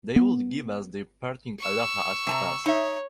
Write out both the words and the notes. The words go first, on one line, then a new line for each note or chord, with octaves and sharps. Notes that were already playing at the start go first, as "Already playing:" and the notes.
They would give us their parting aloha as we passed.
B3
C#6 E6
C3 A5 A#5
D#4 C#5 E5